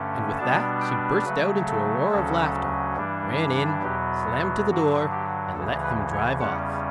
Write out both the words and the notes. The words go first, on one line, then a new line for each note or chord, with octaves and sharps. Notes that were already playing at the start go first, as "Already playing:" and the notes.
And with that she burst out into a roar of laughter, ran in, slammed to the door, and let him drive off.
Already playing: G2 D3 A3 C#4
B2 G3 B3 D4 A5
G5
C#3 F#3 A3 B4
A4
D2 C#3 F#3 C#4 A4
G2 E3 G3 D4
E2 B2 F#3 B3 G4
F#4
G2 D3 F#3 F#4
G4
D2 C#3 E3 A4
B4
C#5
E2 C#3 G3 C#4 F#5